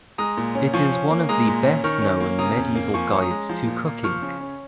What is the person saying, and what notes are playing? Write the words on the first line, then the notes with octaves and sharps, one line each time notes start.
It is one of the best-known medieval guides to cooking.
G#3 A#5 D#6
A#2
C#4
F3 G#5 C#6
C#4
A#3
G#3 A#5 D#6
A#2
C#4
D#3 C#6 F6
C#4
A#3
C#3 A#5 D#6
F2
A#3
F3 G#5 C#6
C#4 C#6
A#5 D#6
G#3
F3
A#2
A#3
F3 C#6 F6
C#3
C#4